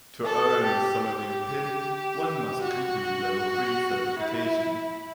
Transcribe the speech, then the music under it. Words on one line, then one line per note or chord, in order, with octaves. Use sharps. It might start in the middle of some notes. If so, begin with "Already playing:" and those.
To earn a sommelier pin, one must complete level three certification.
A4
G4
G4
F#4
E4